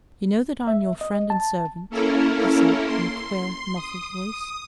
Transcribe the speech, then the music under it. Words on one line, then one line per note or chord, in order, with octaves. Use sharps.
"You know that I am your friend and servant," he said, in a queer, muffled voice.
E5
D#5
A5
A#3 C#4 E4 A4 A#4
C6
D#6